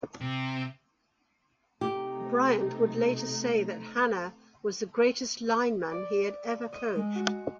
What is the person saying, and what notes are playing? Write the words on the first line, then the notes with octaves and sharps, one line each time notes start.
Bryant would later say that Hannah was the greatest lineman he ever coached.
C3
C3 A3 D#4 G4
D5
D#5
G#3
F#4